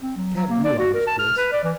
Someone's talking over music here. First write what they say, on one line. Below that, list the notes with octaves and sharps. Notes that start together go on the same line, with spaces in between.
Tad realized this.
C4
F#3
F#3
A#3
D5
F#4
A#4
A5
F6
B4
D5
E3